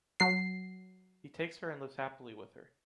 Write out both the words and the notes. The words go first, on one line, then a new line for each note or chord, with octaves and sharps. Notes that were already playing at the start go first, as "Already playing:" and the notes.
He takes her and lives happily with her.
F#3 C7